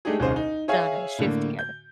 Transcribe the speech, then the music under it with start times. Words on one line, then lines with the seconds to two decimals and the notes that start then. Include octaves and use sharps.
done a shift together-
0.05 G#3 A3 D4 D#4 G4 G#4
0.19 D#1 C2 C#4 D#4 G#4 C5
0.36 D#4
0.68 G#4 C#5 E5 F5 G#5
1.18 A2 D3 A#3
1.59 G6